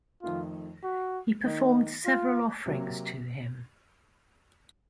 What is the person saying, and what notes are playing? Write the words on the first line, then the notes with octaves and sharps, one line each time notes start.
He performed several offerings to him.
F2 D#3 A3 F4
F#4
D#3 A#3 D#4
F4
C3 F#3 A#3